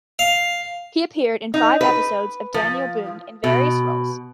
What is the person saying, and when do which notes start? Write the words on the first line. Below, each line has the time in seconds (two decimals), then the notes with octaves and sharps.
He appeared in five episodes of "Daniel Boone" in various roles.
0.19 F5
1.54 D#4
1.81 B4
2.54 F3
3.44 B2